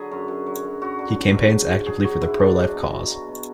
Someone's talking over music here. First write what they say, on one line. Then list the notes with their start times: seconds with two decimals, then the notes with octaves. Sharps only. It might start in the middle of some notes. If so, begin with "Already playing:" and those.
He campaigns actively for the pro-life cause.
Already playing: D3 F#3 G#4 B4
0.11 F#2
0.28 F#2
0.46 F#3
0.63 F#2
0.82 F#2 F#4
0.99 D3
1.16 F#3
1.34 G#2
1.51 F#3
1.69 G#2
1.86 F#3 G#4
2.04 F#3 F#4
2.21 G#2 E4
2.39 F#3 D4
2.56 F#3
2.74 B2
2.91 B2
3.10 F#3
3.28 B2